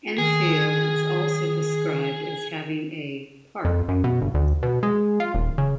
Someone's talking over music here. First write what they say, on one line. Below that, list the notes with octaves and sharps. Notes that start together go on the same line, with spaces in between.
Enfield is also described as having a "parc".
D#3 G#4
F2
F#2
B2
G1
D2
B2
G#3
F4
D#1
C#3